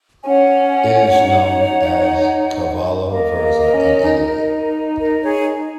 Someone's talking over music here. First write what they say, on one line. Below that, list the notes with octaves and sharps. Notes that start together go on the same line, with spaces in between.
It is known as 'cavolo verza' in Italy.
G#5
C#4 C#5 F#5
D#4
A#3 A#4 D#5
A#3
C#4
D#4
A#4
G#4 C#5